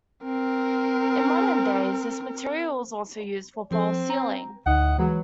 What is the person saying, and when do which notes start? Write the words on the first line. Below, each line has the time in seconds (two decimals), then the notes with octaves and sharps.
In modern days this material is also used for False Ceiling.
0.23 C4 A#4
3.71 F3 C4 A4
4.10 A#5
4.66 D2 A2 D#4 D#5 F#5
4.98 E3 F#3 G#3 B4